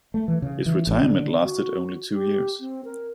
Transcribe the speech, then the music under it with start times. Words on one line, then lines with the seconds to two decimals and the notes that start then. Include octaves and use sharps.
His retirement lasted only two years.
0.14 A3
0.28 E3
0.42 C#3
0.66 E3
0.87 A1
1.03 D3
1.44 F#4
2.13 G4
2.60 C4
2.85 A#4